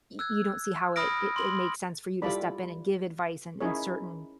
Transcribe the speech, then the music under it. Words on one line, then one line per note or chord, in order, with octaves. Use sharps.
y you don't see how it it it makes sense for you to step in and give advice in in certain
E6 F#6 G#6
B5 D#6 F6 A#6 D7
C6 F#7
G3 E4 F4 A4 D5 B5
C#4 D#4 E4 G#4 A#4 C#5